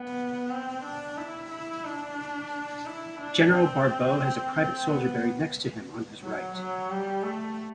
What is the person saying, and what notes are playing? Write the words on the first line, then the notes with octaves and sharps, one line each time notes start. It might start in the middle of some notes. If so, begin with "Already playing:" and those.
General Barbot has a private soldier buried next to him, on his right.
Already playing: B3
C4
D4
E4
E4
D4
E4
D4
C4
C4
B3
F#3
F#3
G3
A3